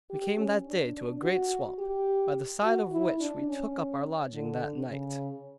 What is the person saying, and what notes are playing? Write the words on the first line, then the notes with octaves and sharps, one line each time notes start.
We came that day to a great swamp, by the side of which we took up our lodging that night.
G4
C#4
D4
D4
F#4
G4
F#4
E4
D4
C#4
D3
C#3